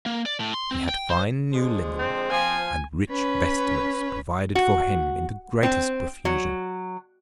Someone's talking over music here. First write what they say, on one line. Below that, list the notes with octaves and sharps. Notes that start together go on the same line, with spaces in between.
He had fine new linen, and rich vestments provided for him in the greatest profusion.
A#3
D5
A2
C6
C4
G5
C5
D3 F3 G#3
C4
F3 G#5
C#4 B4
F#4
C4
F#3